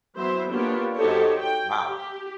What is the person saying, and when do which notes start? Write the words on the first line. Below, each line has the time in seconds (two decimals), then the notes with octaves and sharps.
Um, wow.
0.16 E3 F#3 B3 C5 E5
0.52 A#3 B3 D4 F4 G4 C#5
0.96 D#4 F#4 G4 A4 C5 C#5
1.40 G5
1.88 G4